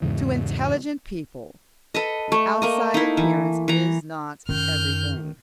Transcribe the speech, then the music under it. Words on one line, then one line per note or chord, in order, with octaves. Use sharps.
"To intelligent people the outside appearance is not everything."
E2 G#2 C#3 E3
A4 B4 D#5
A3
A3 A#3 D#5
D#4 E4
E3
E3 A#5
F#2 D#3 D#4 F6 G6